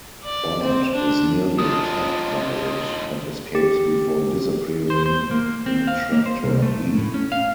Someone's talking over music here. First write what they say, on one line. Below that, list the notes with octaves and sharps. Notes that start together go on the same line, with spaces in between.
Bart is nearly attacked by it, but escapes before disappearing in a tractor beam.
D5
C4
D4
D#2 D4 F4 D#6
G4
C5
C5
A#3
C4
F5
A#3
C5
C2
A3
A2
C#4
F5